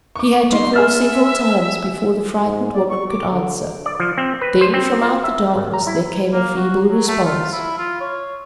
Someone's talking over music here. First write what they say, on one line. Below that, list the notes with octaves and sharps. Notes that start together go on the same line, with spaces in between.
He had to call several times before the frightened woman could answer. Then from out the darkness there came a feeble response.
C#6 D6
G3 B3 D#4 C6
G#4 E5 F6 A6
G#2
D5
C#6
D6
D3
D5
F3
C4
B4
C5
C4
F4
E5
G#1
A#5
E4
A#3
F#4
F#3
A3
F4
E4
F4
C#5